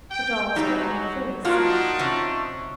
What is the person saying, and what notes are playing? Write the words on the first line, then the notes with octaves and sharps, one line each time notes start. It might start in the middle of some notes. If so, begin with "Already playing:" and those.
The dolls were all very sad.
G5
F#3 G3 D#4
F3 A#3 D4 D#4 F4 F#4
C3 C#4